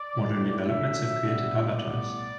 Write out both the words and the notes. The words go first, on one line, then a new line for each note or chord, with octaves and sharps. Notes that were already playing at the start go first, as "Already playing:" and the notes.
Modern developments have created other types.
Already playing: D5
A2 E3 G3 B3
D3 F#3 A3 E5
D3 G3 B3
A2 G3 B3 D5